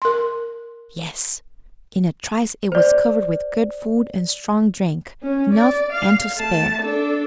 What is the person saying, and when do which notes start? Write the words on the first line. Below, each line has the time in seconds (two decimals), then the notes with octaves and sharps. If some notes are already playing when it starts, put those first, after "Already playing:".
Yes! in a trice it was covered with good food and strong drink, enough and to spare.
0.02 A#4 C6
2.72 C5 D5
5.23 C#4
5.53 D5
5.92 F5
6.38 A3 A5
6.82 D4 A4